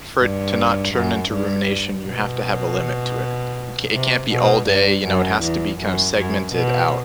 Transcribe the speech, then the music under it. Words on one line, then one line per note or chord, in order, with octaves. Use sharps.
for it to not turn into rumination, you have to have a limit to it. You ca it can't be all day, you know, it has to be kind of segmented out
G2
F#2
G2
B2
C3
B2
G2
F#2
E2
F#2
F#2
B2